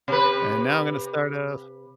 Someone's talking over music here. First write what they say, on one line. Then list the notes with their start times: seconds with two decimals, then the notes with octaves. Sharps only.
And now I'm gonna start off
0.08 C3 B4